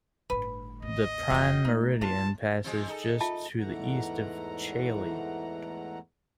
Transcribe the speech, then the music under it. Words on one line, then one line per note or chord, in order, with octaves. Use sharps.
The Prime Meridian passes just to the east of Chailey.
G1 A2 B4
A1 D#2 D#5
F1 E3 F#4 G5
A3 D#4
G#3 D4 F4 A5
C3 F3 G#3
D#4 A4
F4 E5 A5
E2 G#2 E3 A3 F#5 A#5